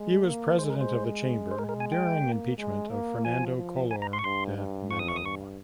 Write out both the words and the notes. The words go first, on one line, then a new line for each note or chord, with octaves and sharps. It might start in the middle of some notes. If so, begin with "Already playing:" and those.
He was president of the chamber during the impeachment of Fernando Collor de Mello.
Already playing: G#3
A#3
G#3 C5
A#4
C5
C5
G#3 A#4
A#4
G#5
G5
A#3
G#3
A#3
F3 G#5
F3
G#5
A#5
C6
C#6
G2 C6
G2
F2 C#6
D#6
C#6
D#6
G2 C#6